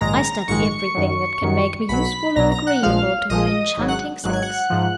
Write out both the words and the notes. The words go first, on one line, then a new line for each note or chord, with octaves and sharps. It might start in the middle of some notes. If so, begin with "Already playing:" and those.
I study everything that can make me useful or agreeable to your enchanting sex.
A#1 G#2 D#3 G#3 A#5 A#6
A#1 G#2 D#3 G#3 C#6 C#7
F#2 D#3 F#3
F#2 D#3 F#3
B1 B2 F#3 B5 B6
B1 B2 F#3 A#5 A#6
A#5 A#6
F#5 F#6
A#1 A#2 F3 G#3 F5 F6
A#1 A#2 F3 G#3 D#5 D#6
G#1 G#2 F#3
F#5 F#6
G#1 G#2 F#3 F#6
G#6
F#5 F#6
G#2 F3